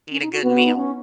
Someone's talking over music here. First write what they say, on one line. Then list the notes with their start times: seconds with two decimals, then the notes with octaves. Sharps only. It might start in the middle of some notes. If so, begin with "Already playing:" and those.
eat a good meal.
0.11 C#4
0.22 D#4
0.32 F#4
0.43 B3 F#4
0.55 F#4
0.65 D#4
0.76 C#4